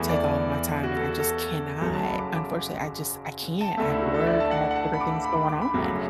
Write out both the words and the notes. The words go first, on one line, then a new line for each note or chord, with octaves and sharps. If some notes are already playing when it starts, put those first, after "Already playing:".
take all of my time, and I just cannot. Unfortunately, I just I can't. I have work, I have different things going on,
Already playing: E2 E3 A3
D5
F#4
A4
F#4
A4
F#1 F#2 F#3 A4
A5
B5
D6
D6
A5
D2 D3 A3 E5
E4
F#4
A4
E5
D5
A5
F#5
F#5
A5
B5
D6
B5
D6
B5
D6
B5
F#1 F#2 F#3 A3